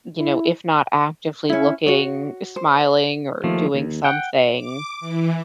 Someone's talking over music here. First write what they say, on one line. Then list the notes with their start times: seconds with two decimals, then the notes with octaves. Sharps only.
you know, if not actively looking, smiling, or doing something,
0.18 E4
1.49 C#4 E4
1.86 F#4 C#5
2.56 C5
3.44 D#2 F3 A3
3.75 D#2
4.04 F#5 G5
4.55 D6
5.00 E3